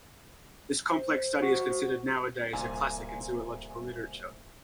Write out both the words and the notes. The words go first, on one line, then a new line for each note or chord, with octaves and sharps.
This complex study is considered, nowadays, a classic in zoological literature.
C5
F#4
D1 C2 A#2 G#5